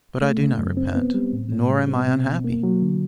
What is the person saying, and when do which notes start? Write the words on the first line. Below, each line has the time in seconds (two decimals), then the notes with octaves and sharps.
But I do not repent, nor am I unhappy.
0.22 A3
0.41 C#3
0.58 F#2
0.77 C4
0.95 B3
1.14 G3
1.33 A2
1.52 A2
1.70 G3
1.88 C4
2.08 B2
2.26 B2
2.44 A#3
2.63 F#3
2.82 D3